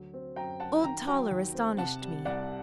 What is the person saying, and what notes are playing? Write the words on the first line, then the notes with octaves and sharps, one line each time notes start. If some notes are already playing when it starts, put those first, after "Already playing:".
Old Toller astonished me.
Already playing: D2 F#3
C4
F#2 G5 A#5
F#2 F#5 A5
D#3 G5 A#5
F#3 G5 A#5
D#2
C4
C3 F#5 A5
G3
C2 D5 F#5